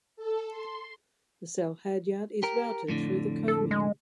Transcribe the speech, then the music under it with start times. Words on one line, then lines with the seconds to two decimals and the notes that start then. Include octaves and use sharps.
The sail halyard is routed through the coaming.
0.16 A4
0.50 C6
2.43 G4 A#4
2.88 F2 A2 D3
3.48 A4
3.71 G#3